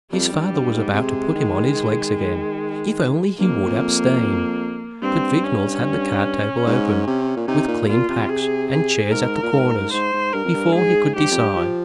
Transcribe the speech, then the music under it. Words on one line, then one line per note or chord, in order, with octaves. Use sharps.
His father was about to put him on his legs again,--if only he would abstain. But Vignolles had the card-table open, with clean packs, and chairs at the corners, before he could decide.
F2 G3
G2
G2
G#2
C3 G#3
D#3
D#3
G2 A#3
F2
F2
G2 C4
C#4
G#2
C3
A#2
C3 D#4
A#2
A#2 F4
C3
G#4
G#4
G#2 A#4
A#2
G#2
G#2 C5
G#2
G2 A#4
F2
G2
G#2 G#4
G#2 G4
G2
F2
G2
F3